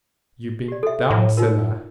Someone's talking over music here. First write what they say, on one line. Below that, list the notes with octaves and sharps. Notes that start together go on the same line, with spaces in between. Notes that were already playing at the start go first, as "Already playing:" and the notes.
"You been down cellar?"
G4 D5
A4 E5
A2
D#4 F4 A#4